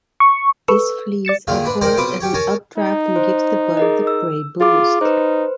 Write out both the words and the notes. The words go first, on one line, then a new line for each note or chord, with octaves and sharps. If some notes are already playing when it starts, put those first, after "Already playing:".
This flees upward as an updraft and gives the bird of prey boost.
C#6
A4 B4 C#6 E6
D5 A6 C#7 E7
A#2 D3 D#3 F4 G#4 F5
G#2 D4 B4
C4 D#4 G#4 A#4 C5 D5
B1 C4 F4 B4 D6 D#6
C#4 G4 C#5
A#4 C#5 G#5 A5
D#4
C5
G#4 A#4 D#5
E6
F4 G#4 D6
D#4 B4 C5